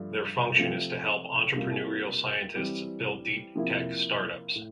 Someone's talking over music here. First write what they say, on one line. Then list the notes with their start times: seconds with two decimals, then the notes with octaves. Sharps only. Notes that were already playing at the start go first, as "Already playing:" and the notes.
Their function is to help entrepreneurial scientists build Deep Tech startups.
Already playing: G2 F3 A3
0.56 C3 F3 A3 C4 F4
1.56 C3 G3 A#3 F4
2.55 E3 G3 C4
3.56 C3 F3 A#3 E4
4.55 A2